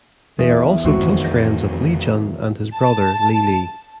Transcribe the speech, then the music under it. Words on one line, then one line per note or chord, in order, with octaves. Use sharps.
They are also close friends of Li Jun and his brother Li Li.
E2
D#2 G#2 G#3 C4 F#4
F2 D#3 A3
D5 G6 A#6
A5